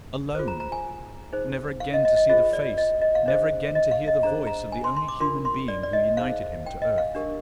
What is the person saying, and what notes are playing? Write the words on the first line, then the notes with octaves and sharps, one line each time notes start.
Alone!--never again to see the face, never again to hear the voice of the only human being who united him to earth!
F4 G#4 C5
A#5
A#5
G#5
D#4 G#4 C5
F5
D#5
D#5
D#5
F4 G#4 C5 D#5
D5
D#5
D#5
F5
D4 G#4 C5 D#5
D#5
F5
D#5
D4 G#4 C5 A#5
A#5
G#5
C6
C6
D6
D4 F4 A#4 C6
C6
D5
D5
D#5
D#4 G#4 C5 F5
G5
D#5
F5
D4 G4 A#4